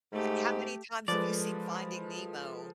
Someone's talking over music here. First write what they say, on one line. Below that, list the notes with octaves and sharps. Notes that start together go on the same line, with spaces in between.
He how many times have you seen Finding Nemo?
G#2 A3 G4
F3 G#3 A4 B4 D5